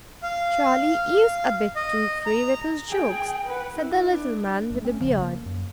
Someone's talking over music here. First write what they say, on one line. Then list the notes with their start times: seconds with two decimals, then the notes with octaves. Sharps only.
"Charlie IS a bit too free with his jokes," said the little man with the beard.
0.23 F5
1.76 D#5
2.26 A#5
2.89 G#4 G5
3.46 B4 F#5
3.77 E4
4.11 D4
4.70 G1 A3
4.85 C4 C#4
5.00 E1 A1 C#3 F3
5.22 A#3
5.46 F#2